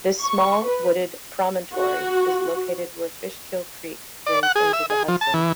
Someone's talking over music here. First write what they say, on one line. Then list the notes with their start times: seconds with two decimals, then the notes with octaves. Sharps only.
This small wooded promontory is located where Fishkill Creek drains into the Hudson.
0.19 C#6
0.64 B4
1.75 F#4
4.26 D5
4.43 F#5
4.56 G#4
4.73 E5
4.90 G#4
5.08 F3
5.21 A5
5.34 E3